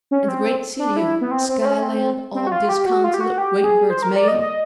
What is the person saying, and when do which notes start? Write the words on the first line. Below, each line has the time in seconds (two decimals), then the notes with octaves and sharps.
And the great city of Skyland, all disconsolate, waiting for its mail?
0.11 C#4
0.28 C4
0.79 D4
0.97 E4
1.21 B3
1.31 C4
1.49 C4
1.61 C4
1.65 C#4
1.83 C4
2.35 C4
2.47 F#4
2.52 F4
2.69 G4
2.86 F#4
3.04 F4
3.14 G4
3.20 F#4
3.38 G4
3.64 G#4
3.90 C5
4.02 A#4
4.16 D5
4.28 D#5
4.41 D#5